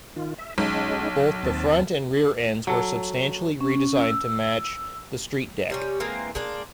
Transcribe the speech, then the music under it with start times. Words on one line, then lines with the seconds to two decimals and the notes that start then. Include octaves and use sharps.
Both the front and rear ends were substantially redesigned to match the StreetDeck.
0.16 D#3 F4
0.38 E5
0.58 B1 G#3 C#4 D#4
1.43 D#2 C4 A5
2.67 F#3 A4
3.61 C#4
4.03 E6
5.70 C3 G3 C#4
6.00 E3 G#3 A#3 C4
6.35 G#3 A#3 D4